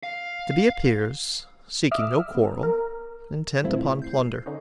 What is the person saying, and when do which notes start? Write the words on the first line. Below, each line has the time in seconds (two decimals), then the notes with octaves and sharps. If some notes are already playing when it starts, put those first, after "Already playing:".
The Bee appears, seeking no quarrel, intent upon plunder.
0.03 F5
1.91 D#5 E5 D6 E6 F6
2.35 B3
2.63 A#4
3.63 A#2 G3 A3 C4 E4 F4
4.02 G6 C7
4.46 D3 C#4 D#4